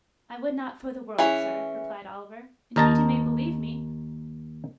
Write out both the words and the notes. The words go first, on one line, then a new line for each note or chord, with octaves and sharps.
'I would not for the world, sir,' replied Oliver. 'Indeed you may believe me.
E3 C#4 G#4
D#2 A#4 D#5 A5 A#5